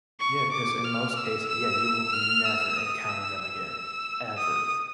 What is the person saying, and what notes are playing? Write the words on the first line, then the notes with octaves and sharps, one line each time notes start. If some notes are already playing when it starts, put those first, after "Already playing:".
Yeah, 'cause in most case Yeah, you will never encounter them again. Ever.
C#6
D6
F6
E6
E6
F6
E6
D#6
E6
E6
D#6